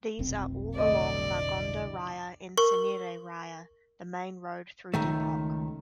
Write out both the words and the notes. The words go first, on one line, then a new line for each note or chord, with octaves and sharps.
These are all along Margonda Raya and Cinere Raya, the main road through Depok.
F1 B1 C4
A2 D3 D5 D#5
A#4 C#6
C#2 D#3 A3